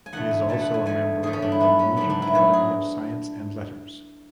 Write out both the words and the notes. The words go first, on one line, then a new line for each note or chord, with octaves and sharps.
He is also a member of the Norwegian Academy of Science and Letters.
G#5
E2 D3 A3 F#5
G#5
E2 D3 A3 A5
F#5
G#5
E2 D3 A3 G#5
E2 D3 A3 G#4
C#4
D4
E4
G#2 F#3 B3 D4
C#4
G#2 F#3 B3 D4
D4
E4
G#2 F#3 B3 F#4
G#4